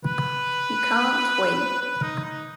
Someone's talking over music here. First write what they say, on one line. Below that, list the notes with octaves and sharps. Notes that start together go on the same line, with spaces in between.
You can't win.
B4
B4
D#4
D#4